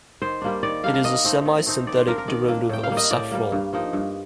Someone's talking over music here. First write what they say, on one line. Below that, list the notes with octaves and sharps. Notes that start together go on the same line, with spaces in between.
It is a semisynthetic derivative of safrole.
D#3 C5
G3 A#3 D4
D#3 D5
G3 A#3 D4 F5
F5
D#3 D#5
A3 C4 D#4
D#3
A3 C4 D#4
D#3 D5
C5
A#3 D4 A#4
A#4
D#3 D5
A#3 D4
A2 G5
F5
G3 A#3
D#5
A2 D5
G3 A#3
G2
F3 A#3 D#4
G2